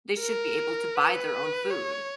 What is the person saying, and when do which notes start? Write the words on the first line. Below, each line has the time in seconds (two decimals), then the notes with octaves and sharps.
They should be able to buy their own food.
0.21 A#4
0.96 B4
1.70 C#5